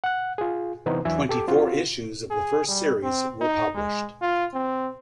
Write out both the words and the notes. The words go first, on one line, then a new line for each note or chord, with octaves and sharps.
Twenty-four issues of the first series were published.
F#5 F#6
F4 G#4
C3 E3 B3 C4 D#4 C5
E2 E3 F#3 D4 E5 G#5
G4 A4 D6
C4 F4 F#4
G#4
G3
C4
D#4
G#3
F4
C4